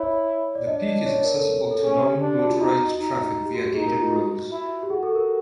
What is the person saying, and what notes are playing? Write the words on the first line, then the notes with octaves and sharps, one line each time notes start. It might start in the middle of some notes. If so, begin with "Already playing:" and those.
The peak is accessible to non-motorized traffic via a gated road.
Already playing: E4 C#5
D5
D4 D#5
D#5
D5
C#5
A#4
A4
A4
C#4 G#4
G4
D4 G4
F#4
F4
D#4 F#4
D#4
G4
F#4
G4
D#4 G#4
A#4
F4
F#4
E4
G4
F#4 G#4
A4
A#4